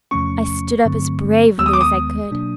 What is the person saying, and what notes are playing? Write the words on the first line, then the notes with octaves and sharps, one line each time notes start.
I stood up as bravely as I could.
E2 C3 F3 A3 C#4 C#6
G2 D3 F#3 A3 C4
D#2 D#3 G#3 B3 E6
D#6
D6
D#6
B2 F#3 A#3 D4